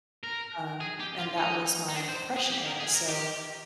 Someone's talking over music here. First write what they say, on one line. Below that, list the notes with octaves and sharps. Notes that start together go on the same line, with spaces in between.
Um, and that was my depression era, so,
A#4
G#4
G4
F4
D#4
D#4
D4
C5
G#4
G4
A#4
G#4
A#4
G4